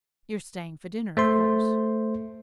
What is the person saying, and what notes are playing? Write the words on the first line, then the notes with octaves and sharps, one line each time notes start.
"You're staying for dinner, of course?"
A3 C5 C6